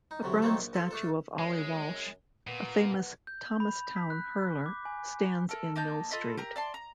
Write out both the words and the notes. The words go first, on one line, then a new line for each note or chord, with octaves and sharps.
A bronze statue of Ollie Walsh, a famous Thomastown hurler, stands in Mill Street.
D#4
D2 C3 F#3
D#3 F#3 A3 A#3 C4 A4
A#1
F3 A4
A3 D4 A4
F#2 G#3
A#2 B3
G6
B5
B6
F#6
D6
G#5
A4 A#4
A#3 D#4 A5 G6
F4 A4 D#5 B5
G4 A#4 A#5
D5 A5 C6
A#5